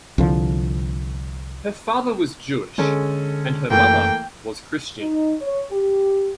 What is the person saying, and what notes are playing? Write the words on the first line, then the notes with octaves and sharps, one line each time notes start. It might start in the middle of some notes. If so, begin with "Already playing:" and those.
Her father was Jewish and her mother was Christian.
C2 D3 F3
D3 G#3 C#4 A4
F#2 E3 A3 A#3 G5
D#4
C#5
G4